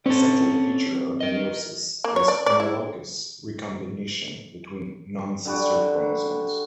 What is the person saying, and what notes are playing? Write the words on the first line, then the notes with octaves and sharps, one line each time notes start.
A central feature of meiosis is homologous recombination between non-sister chromosomes.
C4 C#4 A4
A#4 D#5
A#3
C#5
D5
D5
E4
D3 G3 F#4